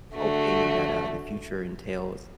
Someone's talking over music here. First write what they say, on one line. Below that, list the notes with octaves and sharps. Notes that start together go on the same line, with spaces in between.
hoping that, uh, the future entails,
D3 A3 F#4